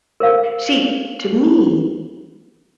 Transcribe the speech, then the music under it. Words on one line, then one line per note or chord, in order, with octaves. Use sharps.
See, to me,
A#4 C5 F5